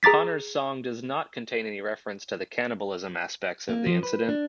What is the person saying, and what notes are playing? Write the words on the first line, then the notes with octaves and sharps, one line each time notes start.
Connors' song does not contain any reference to the cannibalism aspects of the incident.
G#4 A#5 D6 A6 B6
A#3
F3
B4
D4